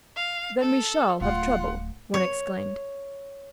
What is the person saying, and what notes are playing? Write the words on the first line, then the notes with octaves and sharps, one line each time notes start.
"Then we shall have trouble," one exclaimed.
F5
A4
D1 F4 F#5 C6
C#5